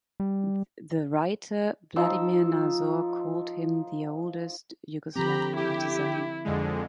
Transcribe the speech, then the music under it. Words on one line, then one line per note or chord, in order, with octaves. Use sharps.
The writer Vladimir Nazor called him the oldest Yugoslav Partisan.
G3
F3 D#4 E6
D3 F3 C4 G4 A#5 B5
E4 G4
F2 D3 G#3